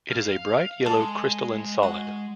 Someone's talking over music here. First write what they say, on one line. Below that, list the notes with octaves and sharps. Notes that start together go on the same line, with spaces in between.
It is a bright yellow crystalline solid.
F5
G#3 A4
F#4